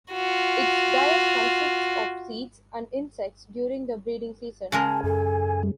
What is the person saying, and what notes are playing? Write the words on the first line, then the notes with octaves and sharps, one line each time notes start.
Its diet consists of seeds, and insects during the breeding season.
F4 F#4
C#3 G#3 A#4 G#5 A5
F#2 A4
G3